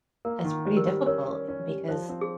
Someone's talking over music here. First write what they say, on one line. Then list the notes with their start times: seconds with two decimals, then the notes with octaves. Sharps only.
it's pretty difficult because
0.25 A#3 A#4
0.44 D#3
0.66 G3 C5
0.77 A#4
0.86 G3 C5
1.06 C#4 A#4 C#5
1.28 C#4
1.48 C#4
1.68 G3
1.88 F3 C5
2.09 C4
2.21 G#4